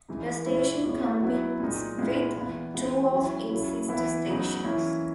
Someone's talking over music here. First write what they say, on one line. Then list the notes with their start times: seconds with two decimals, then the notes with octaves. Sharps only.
The station competes with two of its sister stations.
0.09 E3 G#3 D#4
0.46 A#2 G#3 C#4 E4
0.84 B2 G#3 C#4 E4
1.22 F#3 B3 E4
1.60 A#2 G#3 D#4
1.98 A#2 G#3 B3 E4
2.36 E3 B3 E4
2.74 E3 G#3 B3 D#4
3.12 F#3 C#4 E4
3.50 C#3 F#3 C#4 E4
3.88 E3 B3 E4
4.26 C#3 F#3 B3 D#4
4.64 E3 A#3 C#4 E4